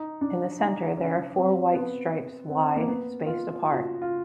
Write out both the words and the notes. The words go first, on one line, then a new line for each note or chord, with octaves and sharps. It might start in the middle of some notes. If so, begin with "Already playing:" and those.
In the center there are four white stripes wide, spaced apart.
Already playing: D#4
D4
D#4
C#4
C4
B3
C4
A#3
B3
F4
F4
F#4
F4
F4